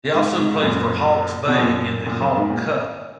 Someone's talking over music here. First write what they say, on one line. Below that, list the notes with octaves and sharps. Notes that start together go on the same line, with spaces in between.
He also played for Hawke's Bay in the Hawke Cup.
G#2
G#2
F#2 A#2
B2
F#2 A#2
F#2 A#2
F#2
G#2
A#2